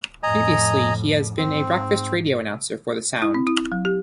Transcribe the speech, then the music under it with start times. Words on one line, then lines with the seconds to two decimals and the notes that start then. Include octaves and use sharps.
Previously, he has been a breakfast radio announcer for The Sound.
0.23 F2 A2 D#5 G#5 A#5
1.38 G#2 C4
3.22 E4
3.34 C4
3.47 E4
3.72 F#3
3.85 G4